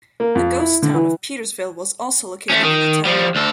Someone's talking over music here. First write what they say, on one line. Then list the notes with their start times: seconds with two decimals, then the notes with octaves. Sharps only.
The ghost town of Petersville was also located in the town.
0.20 A#3
0.35 F2
0.60 E4
0.82 D3
0.94 E3
2.50 A3 C#4
2.63 D#3
3.05 F3 G3
3.35 D2 A4